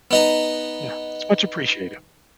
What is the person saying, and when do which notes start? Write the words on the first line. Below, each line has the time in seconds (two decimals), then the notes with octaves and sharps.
Yeah, it's much appreciated.
0.11 B3 D#4 A#5